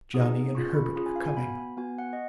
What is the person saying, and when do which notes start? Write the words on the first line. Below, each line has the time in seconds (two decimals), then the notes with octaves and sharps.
Johnny and Herbert are coming.
0.14 B3 D#4 G#4 D#6
0.54 C#4 F4 G#4 C#6
0.75 B5
0.96 C#4 F4 G#4 B5
1.06 G#5
1.16 F5
1.27 G#5
1.37 B3 F#4 B5
1.77 B3 F#4 G#5
1.98 F#5
2.13 D#5